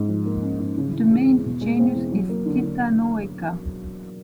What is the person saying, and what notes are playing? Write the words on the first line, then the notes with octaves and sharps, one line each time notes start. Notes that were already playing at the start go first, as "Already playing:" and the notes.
The main genus is "Titanoeca".
Already playing: G#2
F3
A#3
C#4
G#2
C#3
E3
G#3
E2
B2
G#3
C4
E2
F#3
A#3
D3
D3